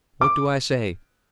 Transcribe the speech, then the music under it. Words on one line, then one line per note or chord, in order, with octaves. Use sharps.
What do I say?
D6